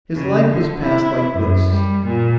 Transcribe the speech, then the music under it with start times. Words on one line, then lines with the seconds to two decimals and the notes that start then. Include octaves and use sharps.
His life was passed like this.
0.15 C#3
0.50 D3
0.81 E4
1.34 F#2
1.69 G3
2.05 A#2